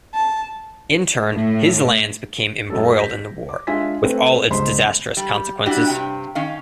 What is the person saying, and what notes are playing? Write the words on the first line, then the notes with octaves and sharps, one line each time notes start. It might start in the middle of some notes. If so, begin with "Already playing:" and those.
In turn, his lands became embroiled in the war, with all its disastrous consequences.
A5
A2
F#2 G#3 A4
G6 A#6 B6
D6
G#3 D4 F4 E5 G#5 B6
A3 C4 B4
G1 C#2 G#3 C5 B5 C6
G3
G3 D4 E4 F#4 G4
G2 C3 G5
D#3 C#4 F5